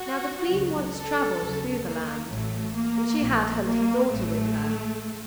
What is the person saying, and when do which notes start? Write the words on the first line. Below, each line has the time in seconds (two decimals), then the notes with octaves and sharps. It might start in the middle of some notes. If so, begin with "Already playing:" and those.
Now the queen once travelled through the land, and she had her little daughter with her.
Already playing: F#4
0.48 C#2 C#3 F#3
0.93 A4
1.39 D#2 C#3 F#3
1.84 A#3
2.29 A1 A2 F#3 A3
2.74 A#3
3.20 A#1 A#2 F3
3.65 A#3
4.09 A1 A2 F#3 A3